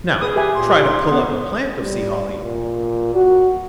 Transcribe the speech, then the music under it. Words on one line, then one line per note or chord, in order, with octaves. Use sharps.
Now try to pull up a plant of Sea Holly.
G#4 B4 D#6
G4 B4 E5 G#5
A#2 C6
D#4 C6
D3 B3
G3
A#2
F#4